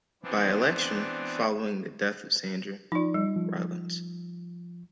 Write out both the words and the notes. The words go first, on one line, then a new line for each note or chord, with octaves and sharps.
By-election following the death of Sandra Rylance.
E3 B3 C4 D4
F3 D#4 F4 D5
G3
F3